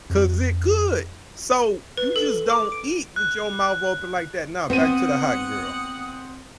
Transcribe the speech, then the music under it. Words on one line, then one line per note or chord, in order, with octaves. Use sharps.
'cause it could. So, you just don't eat with your mouth open like that. Now, back to the hot girl,
F2
B4
A4
D6
D7
F#6
B3 C4 F#5 D#6 D#7